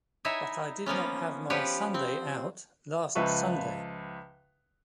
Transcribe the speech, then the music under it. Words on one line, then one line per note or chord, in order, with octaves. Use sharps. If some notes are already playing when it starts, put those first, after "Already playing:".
But I did not have my Sunday out last Sunday.
D#4 E4 C#5 E5 G#5
F3 A#3 B3 C#4
F3 G4 B4 C#5
C4
C#2 F3 B4 E5 C#6